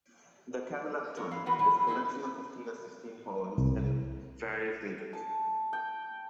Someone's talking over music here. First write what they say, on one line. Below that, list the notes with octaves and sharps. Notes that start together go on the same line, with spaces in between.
The "Catalepton" is a collection of fifteen or sixteen poems in various meters.
E2 C#4 A4 A#4 C#5
G#2 E4 F5
E3 A#3 B3 F#4 B4
B2 E3 F#3 G3 C#4 E4
F#2 A2
G#3 C4 D#4 E4 A4
C2
A5
G5